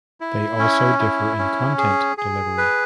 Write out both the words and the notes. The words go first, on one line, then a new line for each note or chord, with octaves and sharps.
They also differ in content delivery.
E4
C#4
E4
C#4
G#4
G#4
B4